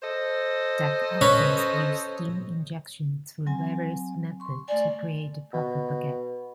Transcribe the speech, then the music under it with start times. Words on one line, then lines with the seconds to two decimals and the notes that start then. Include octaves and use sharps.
Deck ovens use steam injection, through various methods, to create the proper baguette.
0.02 A4 C5 D#5
1.21 C#4 B4 C#5
3.47 F#3 C4 G#5
4.40 C6 C#6
4.68 A3 D5 G#5
5.53 B2